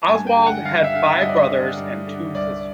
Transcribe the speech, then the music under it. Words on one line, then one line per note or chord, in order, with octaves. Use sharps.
Oswald had five brothers and two sisters.
A5
G2 G#5
G5
D3
F#5
G2 F5
E5
D3 F5
E5
G2 D#5
D5
D#5
D3
G2
D3
C2 D5